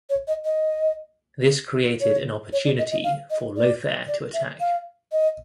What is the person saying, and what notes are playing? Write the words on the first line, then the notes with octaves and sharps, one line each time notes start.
This created an opportunity for Lothair to attack.
C#5
D#5
D#5
C#5
C#5
D5
D#5
D#5
F5
D#5
D5
D5
E5
F5
D#5